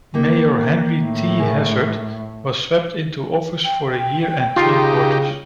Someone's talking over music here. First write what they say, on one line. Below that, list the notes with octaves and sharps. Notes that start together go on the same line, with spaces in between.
Mayor Henry T. Hazard was swept into office for a year and three quarters.
D#3 A#3 D#4
A2
G#4 A#4
G5
C#3 D#4 F4 G4